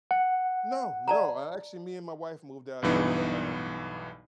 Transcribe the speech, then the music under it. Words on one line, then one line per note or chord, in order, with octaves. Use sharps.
No, no, actually, me and my wife moved out here, um
F#5
D5 A5 A#5
B1 G2 E3 B3 D#4